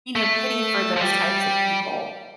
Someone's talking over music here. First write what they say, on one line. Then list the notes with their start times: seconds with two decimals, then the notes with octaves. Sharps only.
you know, pity for those types of people
0.16 A3
0.96 F3
1.01 G3